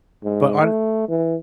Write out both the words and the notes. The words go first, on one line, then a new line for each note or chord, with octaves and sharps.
But hone
G#2
A3
E3